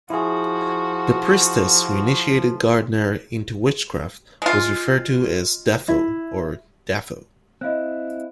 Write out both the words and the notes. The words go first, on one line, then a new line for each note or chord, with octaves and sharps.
The priestess who initiated Gardner into witchcraft was referred to as "Dafo" or "Daffo".
F3 E4 F#4 G#4
G#3 F4
E4
C4 E4 D#5 F5 F#6